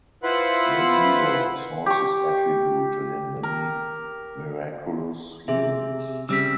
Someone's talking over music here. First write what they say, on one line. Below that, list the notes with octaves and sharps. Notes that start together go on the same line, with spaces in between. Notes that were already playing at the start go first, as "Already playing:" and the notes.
Medieval sources attribute to him many miraculous healings.
E4 F4 B4 C5 F#5 B5
G4 C#6
A#4
C3 G#4 E5
C#3 G3 C4 E6 B6